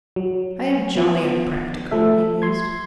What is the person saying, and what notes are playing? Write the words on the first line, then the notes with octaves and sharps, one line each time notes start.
"I am jolly unpractical," he mused.
F#3
F3 B3
F3 A3 A4 E5
C6 G#6